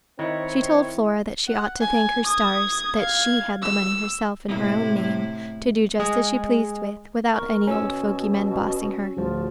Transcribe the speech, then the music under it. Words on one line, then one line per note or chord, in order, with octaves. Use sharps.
She told Flora that she ought to thank her stars that SHE had the money herself in her own name, to do just as she pleased with, without any old-fogy men bossing her.
D#3 C4 E4 C#5 D#5 E5
F#5
G#5
D#6 G#6
F5 G#6
E6
A2 C3 E4
G#3
A#4 C#6
B2 C#4 F#4 E6
D1 F3 F4